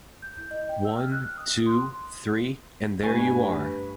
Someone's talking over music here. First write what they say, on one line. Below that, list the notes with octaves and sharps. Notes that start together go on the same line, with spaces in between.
One, two, three, and there you are!
G6
E4
D#5
G5
E6
F6
F#6
D#6
C6
G2 A3 B4 G#5 C#6